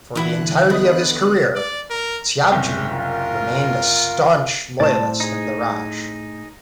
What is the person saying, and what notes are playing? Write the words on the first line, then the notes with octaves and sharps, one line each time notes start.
For the entirety of his career, Tyabji remained a staunch loyalist of the Raj.
D3 E3 D#4 E4 F#4 F#6
B3 E4 D#5
D5
A#4
F#1 C2 G5
F4 A#4
A2 C4 D5 A5
D#4 G#4